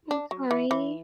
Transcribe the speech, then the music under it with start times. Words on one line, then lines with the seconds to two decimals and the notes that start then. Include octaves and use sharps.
I'm sorry.
0.11 D4
0.31 F#3
0.51 E3
0.71 E3